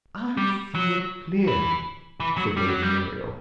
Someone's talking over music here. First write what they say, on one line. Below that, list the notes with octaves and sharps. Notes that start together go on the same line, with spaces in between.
"I see it clearly," said Lady Muriel.
G3
F#3
E3
E3
F#3
G3
F#3
G3